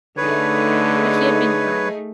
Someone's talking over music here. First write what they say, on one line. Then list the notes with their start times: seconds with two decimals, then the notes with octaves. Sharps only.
But he had been kind.
0.17 D3 A3 D#4 G#4 B4 C#5